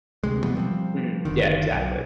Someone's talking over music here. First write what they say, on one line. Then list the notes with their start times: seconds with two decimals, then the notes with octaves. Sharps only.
Mhm. Mhm. Yeah, exactly.
0.24 D2 C3 G#3
0.44 B2 E3 G3 B3
0.57 F3 G3 C4
1.25 F#1 D3 D#3
1.71 B1